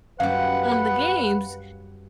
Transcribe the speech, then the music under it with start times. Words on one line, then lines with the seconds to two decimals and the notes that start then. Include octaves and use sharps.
on the games
0.20 F#2 G3 B4 F5 F#5